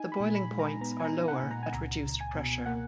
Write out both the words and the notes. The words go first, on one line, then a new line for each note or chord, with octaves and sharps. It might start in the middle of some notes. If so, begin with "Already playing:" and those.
The boiling points are lower at reduced pressure.
Already playing: D#4 G#5
B5
A#2
B5
G#3
A#5
B3 A#5
G#5
A#5
D#4
F#5
A#2
A#5
G#5
C#2 A#5
C#2
G#5
B2
A#3 F#5